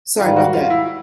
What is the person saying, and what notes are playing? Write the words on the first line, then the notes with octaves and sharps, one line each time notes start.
sorry about that.
G#2 D#3 G3 F4
F#4
F4
E4